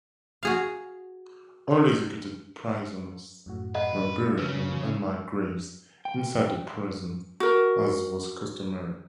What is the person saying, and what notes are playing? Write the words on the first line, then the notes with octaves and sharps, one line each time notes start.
All executed prisoners were buried in unmarked graves inside the prison, as was customary.
F#4 G#4 F5
F#2 A2 F#4
B4 D#5 F#5
C#3 B4
G5
F#4 A#4